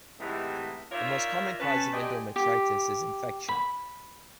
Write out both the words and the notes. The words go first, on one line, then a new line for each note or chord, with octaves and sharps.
The most common cause of endometritis is infection.
A2 C3 E3 G#3 D#4 F#4
D#4 F4 A#4 C#5 D5 E5
C#4 B4 A5
G4 C5 D5 D#5 G5 G#5
G4
B5